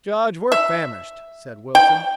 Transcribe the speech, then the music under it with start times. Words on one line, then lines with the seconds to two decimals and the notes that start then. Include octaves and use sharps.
"Judge, we're famished," said Wilson.
0.52 E5
1.75 G5